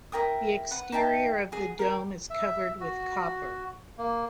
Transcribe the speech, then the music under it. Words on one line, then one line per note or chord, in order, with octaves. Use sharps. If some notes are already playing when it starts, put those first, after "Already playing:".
The exterior of the dome is covered with copper.
E4 A#4 G5 D#6
B4 F#5
D#4 E5 G5 A5
F#4 G#4
A#4 G5
E5
F#4
A#3